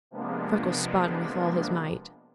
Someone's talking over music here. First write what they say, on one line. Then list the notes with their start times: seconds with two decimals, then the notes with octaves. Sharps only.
Freckles spun with all his might.
0.11 C3 F3 G#3 A#3 B3 D4